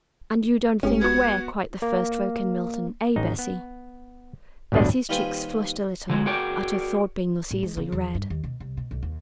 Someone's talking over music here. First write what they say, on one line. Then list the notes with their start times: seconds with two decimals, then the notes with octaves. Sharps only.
'And you don't think we're quite the first folk in Milton, eh, Bessy?' Bessy's cheeks flushed a little at her thought being thus easily read.
0.83 G1 G#3 C#4 G4
1.01 B3 F#4 G#6
1.82 A#3
3.16 A1 D#4
3.39 B3
4.72 A1 D2 G2 B2 D4 D#5
5.09 D#2 G3 F4 B4 C5 G#5
6.10 D3 F#3 G#3
6.26 F#4 G#4 A#4 C#5 D5 G5
7.51 A2
7.63 G#3
7.77 C#3
7.92 E2
8.15 G2
8.30 D#2
8.44 B2
8.60 C2
8.77 B2
8.91 B1
9.03 D#2